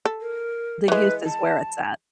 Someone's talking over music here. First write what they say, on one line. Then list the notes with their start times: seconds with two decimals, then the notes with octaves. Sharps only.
The youth is where it's at.
0.05 A4
0.21 A#4
0.88 E3 G#3 B4
1.25 A5